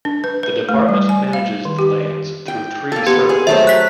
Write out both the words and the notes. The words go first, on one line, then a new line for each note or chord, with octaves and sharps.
The department manages the lands through three circles.
D4
B4
B4
A3
G3
G#5
F5
D#3
G4
G5
A#3 A4
B3 G4
G#4
F#3 A3 C5 E5
F#6 B6